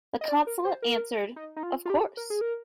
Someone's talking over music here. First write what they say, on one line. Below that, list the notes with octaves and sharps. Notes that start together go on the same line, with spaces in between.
The Consulate answered "of course".
D#5
D5
A#4
C5
A#4
D#4
D#4
F4
F4
G4
A#4
G#4
A#4